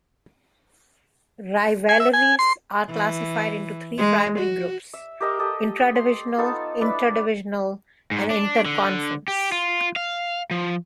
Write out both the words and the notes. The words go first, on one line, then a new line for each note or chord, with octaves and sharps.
Rivalries are classified into three primary groups; intradivisional, interdivisional, and interconference.
G#5
E5
G#5
C6
E3
G#3
F#4
E5
G4 A#4 D#5 E6
G4 A4 D#5
C6
B3 D#4 F4 A4
D4 E4 B4 D5
G#2
D4
D3
G4
F4
F5
F3